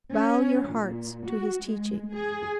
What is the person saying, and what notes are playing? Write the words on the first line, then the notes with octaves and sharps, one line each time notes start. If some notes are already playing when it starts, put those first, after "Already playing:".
Bow your hearts to his teaching.
C#4
A#2
F#4
G#3
G#4